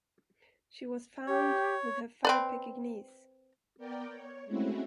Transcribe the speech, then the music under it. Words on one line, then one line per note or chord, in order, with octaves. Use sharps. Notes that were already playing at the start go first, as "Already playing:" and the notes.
She was found with her five Pekingese.
G4 C#5
C4 B4 D5
B3 A#4 D5 G5
C#5
G#3 A3 C4 C#4 E4 F#4